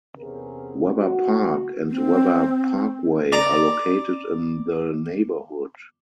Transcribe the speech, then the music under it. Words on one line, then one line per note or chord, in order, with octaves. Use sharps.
Webber Park and Webber Parkway are located in the neighborhood.
E2 C3 B3 C#4 G#4 A#4
F#4
C4
D5 A#5